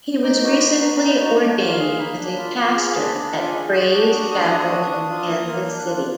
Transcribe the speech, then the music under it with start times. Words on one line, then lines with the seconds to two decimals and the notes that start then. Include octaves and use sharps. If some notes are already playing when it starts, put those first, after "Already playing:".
He was recently ordained as a Pastor at Praise Chapel in Kansas City.
0.23 D#4 D6
0.43 F#4 A#5
0.52 B5
0.62 B3
0.81 B3 A#5
0.96 A#5
1.01 D#4
1.10 B5
1.20 F#4
1.25 A#5
1.40 D4
1.59 F4
1.69 F5
1.79 G#4
1.98 A#3 B5
2.18 D4
2.37 F4
2.56 F4
2.76 G#4
2.95 D4
3.15 D4 B5
3.34 F4
3.44 G#5
3.53 G#4
3.73 F#4 F#5
3.92 D4 D6
4.12 F#4 D#6
4.31 D4 D#6
4.50 F#4
4.70 D4
4.89 D4
5.09 F4
5.28 A#3
5.48 A#3 F6
5.67 D4
5.77 F#6
5.87 F4